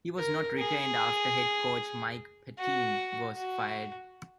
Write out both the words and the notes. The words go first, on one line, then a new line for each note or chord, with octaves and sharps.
He was not retained after Head Coach Mike Pettine was fired.
A#4
G#4
F#4
F#4